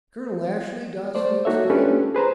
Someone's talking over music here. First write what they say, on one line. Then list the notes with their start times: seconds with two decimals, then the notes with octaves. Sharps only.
"Colonel Ashley!" Darcy exclaimed.
1.15 A3 C5 D5
1.45 A#3 D#4 F#4 A4 C#5 E5
1.70 C#4 D4 F4 G4 A4 B4
2.15 G#4 B4 C5 A#5